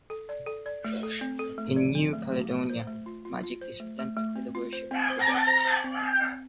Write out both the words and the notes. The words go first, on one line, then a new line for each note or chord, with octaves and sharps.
In New Caledonia, magic is blent with the worship of the dead.
A4
D5
A4
D5
A3
A4
C4
A4
A3
D5
C4
A3
A3
A3
C5
A3
F4
F4
F4
C5
A3
A3
A3
C4
F4
C5
C4
C5
C4
C5
C5
C4
C4
C4